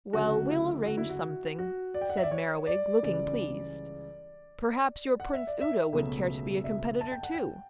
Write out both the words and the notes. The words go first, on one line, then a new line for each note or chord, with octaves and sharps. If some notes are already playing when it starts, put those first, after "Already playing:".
"Well, we'll arrange something," said Merriwig, looking pleased. "Perhaps your Prince Udo would care to be a competitor too."
D2 C#3 F#3 A3 F#4
E4
F#4
E4
F#4
F#4
D5
G5
F#5
E5
D5
C#5
D5
C#2 C#3 E3 G3 D5
F#5
E5
D5
E5
C#2 B2 F#3 A3
E5
A5
G5
F#5
G5